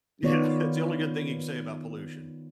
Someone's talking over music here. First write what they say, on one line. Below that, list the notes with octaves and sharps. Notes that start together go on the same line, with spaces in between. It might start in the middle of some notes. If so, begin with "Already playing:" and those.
Yeah, it's the only good thing you can say about pollution.
D#3 B3 F4 C#5 D5